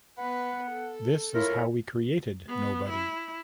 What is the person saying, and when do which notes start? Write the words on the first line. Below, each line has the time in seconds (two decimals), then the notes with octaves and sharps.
This is how we created Nobody.
0.18 B3 B4 F#5
0.72 A4
1.34 E4 F4 A#4 C#5
2.48 B3
2.89 E4